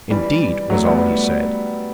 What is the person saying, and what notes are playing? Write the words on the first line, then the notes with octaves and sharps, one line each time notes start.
"Indeed!" was all he said.
E3 G3
F#3 A3
G3 B3